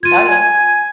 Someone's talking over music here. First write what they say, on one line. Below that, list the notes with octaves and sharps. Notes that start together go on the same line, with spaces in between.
Oh, yeah.
F4 G#6 D#7
G#5